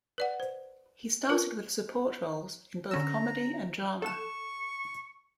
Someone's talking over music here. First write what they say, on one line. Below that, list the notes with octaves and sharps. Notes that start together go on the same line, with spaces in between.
He started with support roles in both comedy and drama.
B4 D5 F#5
C5
F4 A#4 B4
D3 C#4 A#5 E6
A4 C#6 E7